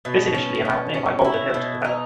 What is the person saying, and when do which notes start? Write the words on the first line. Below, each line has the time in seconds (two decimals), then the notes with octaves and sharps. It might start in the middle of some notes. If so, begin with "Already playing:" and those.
This initially allowed nearby Boulder Hill to develop.
0.05 B2
0.35 C#4
0.65 B2
0.94 C#4
1.24 E4
1.54 B2
1.85 D#4